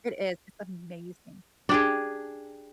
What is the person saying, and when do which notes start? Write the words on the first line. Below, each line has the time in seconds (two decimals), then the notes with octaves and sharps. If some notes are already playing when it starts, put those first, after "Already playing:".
It is, it's amazing.
1.69 D4 G4 G#4